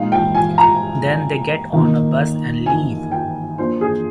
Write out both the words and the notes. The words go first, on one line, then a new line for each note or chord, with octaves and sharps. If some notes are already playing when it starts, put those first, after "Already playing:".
Then they get on a bus and leave.
Already playing: A#2 G#3 D#4 F5
G5
G#5
A#5
D#3 A#3 D#4
G#5
G5
F3 A#3 D4 C5
G#4